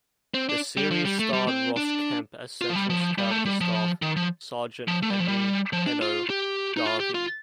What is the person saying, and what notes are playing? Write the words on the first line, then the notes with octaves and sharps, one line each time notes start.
The series starred Ross Kemp as central character Staff Sergeant Henry 'Henno' Garvie.
C4
D4
G3
F3
G3
A3
G3
C4
D4
F4
F3
G3
F3
G3
A3
G3
F3
D#3
F3
F3
A3
G3
F3
G3
F3
D4
F4
G4
D#4
F4
G4
F4